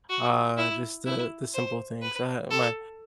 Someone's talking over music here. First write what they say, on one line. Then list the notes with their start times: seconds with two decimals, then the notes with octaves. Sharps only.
uh, just the the simple things. Uh, my
0.10 F#4
0.58 E4
1.06 E4
1.54 C5
2.02 B4
2.50 A4